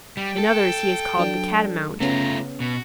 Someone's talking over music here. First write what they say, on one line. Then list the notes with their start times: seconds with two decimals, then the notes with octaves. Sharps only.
In others he is called the Catamount.
0.17 G3 G5
0.38 A4
1.17 F#3 D4
2.00 C#3 A3 B3 C#4 F4 A#5
2.60 B2 F#4